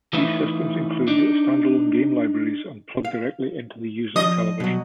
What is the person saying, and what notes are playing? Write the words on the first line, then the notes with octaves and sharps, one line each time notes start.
These systems include stand-alone game libraries and plug directly into the user's television.
E3 A3 D#4 E4 B4 E5
D4 D#4
F5
F3 D#5
B2 F#3